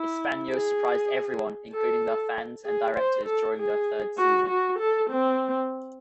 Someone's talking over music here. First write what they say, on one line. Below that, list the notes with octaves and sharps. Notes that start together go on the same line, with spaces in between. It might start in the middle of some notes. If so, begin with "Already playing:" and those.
Hispano surprised everyone including their fans and directors during their third season.
Already playing: E4
G#4
A4
G#4
C5
A4
G#4
F#4
F#4
A4
C4